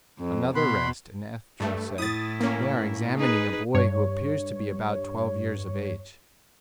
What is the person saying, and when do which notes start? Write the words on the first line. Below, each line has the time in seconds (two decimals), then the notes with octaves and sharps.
Another rest, and Estra said: "They are examining a boy who appears to be about twelve years of age."
0.19 F2
0.55 B2 B5 C6 F#6
1.60 G2 A3
1.98 A2 E4 D#6 A6
2.40 A#3 C#4
3.17 D#4 G#4 B4
3.74 G2 C#5